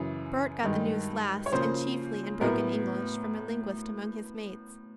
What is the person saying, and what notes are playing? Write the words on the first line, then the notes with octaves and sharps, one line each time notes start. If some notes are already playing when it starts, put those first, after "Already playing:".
Bert got the news last, and chiefly in broken English, from a linguist among his mates.
Already playing: F#2 C#3 E3
G2 D#3 G#3
C#5
C#3 F3 A#3 C5
A2 F#3 B3 A#4